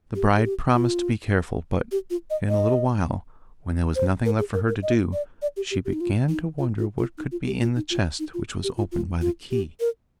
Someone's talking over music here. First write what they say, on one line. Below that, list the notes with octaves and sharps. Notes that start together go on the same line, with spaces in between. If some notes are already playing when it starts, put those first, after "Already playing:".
The bride promised to be careful, but in a little while, when there was nothing left for her to do, she began to wonder what could be in the chest, which was opened by the key.
G4
G#4
G4
F4
G4
F4
D#5
D#5
C5
A#4
G#4
A#4
A#4
D#5
D5
D5
G4
G4
G4
D#4
F4
D#4
F4
F4
F4
D#4
F4
G4
F4
D#4
F4
D#4
F4
G4
F4
F4
F4
G4
A#4